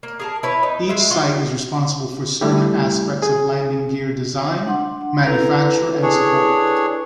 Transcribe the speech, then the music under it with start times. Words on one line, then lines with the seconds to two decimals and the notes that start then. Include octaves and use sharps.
Each site is responsible for certain aspects of landing gear design, manufacture and support.
0.03 A#3
0.20 G#4 A#4 A5
0.43 E4 B4 C#5
0.63 D#4
0.89 G#3 E5
1.10 F4 F#4
2.41 G3 A3 E4 G4
3.22 G#4
4.66 D4 F#5 C6
5.25 E4 A4 B4 A#5
6.02 D4 G#4 C#5